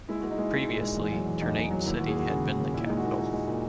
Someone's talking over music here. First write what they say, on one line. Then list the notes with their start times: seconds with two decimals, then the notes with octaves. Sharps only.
Previously, Ternate City had been the capital.
0.09 G#3 E4
0.20 F#4
0.24 G#3
0.31 D#4
0.38 G#3 E4
0.54 G#3
0.68 A#2
0.82 G#3
0.97 E2
1.12 F#3
1.27 E2
1.41 E2 D#4
1.56 E2
1.64 D#4
1.71 F#3
1.86 D#2 E4
1.97 F#4
2.01 D#2
2.07 G#4
2.15 D#2 F#4
2.30 C#3
2.45 D#2
2.60 D#2
2.74 A#2 E4
2.86 D#4
2.89 G#3
2.97 F#4
3.04 A#2 E4
3.18 G#3 D#4
3.33 G#3
3.48 A#2